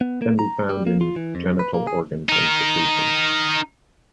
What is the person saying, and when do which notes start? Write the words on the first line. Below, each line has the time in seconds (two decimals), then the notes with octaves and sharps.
Can be found in genital organs and secretions.
0.01 B3
0.22 A#3
0.39 A#5
0.69 G3
0.87 A#3
1.01 F4
1.16 E3
1.35 F2
1.59 B4
1.74 A#3
1.87 G#4
2.29 D#4 A#4